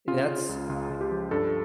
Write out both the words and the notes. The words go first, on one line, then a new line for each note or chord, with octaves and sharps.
that's I
C#3 F4
C#3
F4
C#2
C#2 F4
C#2
G4
F3
G2 A4